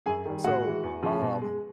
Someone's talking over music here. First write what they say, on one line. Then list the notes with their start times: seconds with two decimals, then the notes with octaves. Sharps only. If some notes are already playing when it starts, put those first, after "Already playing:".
So, uh, um,
0.06 F#2 G#4 G#5
0.26 D#3 G3
0.44 A2 F#4 F#5
0.64 E3 G#3
0.83 E2
1.03 C#3 F3
1.22 B2
1.41 G#3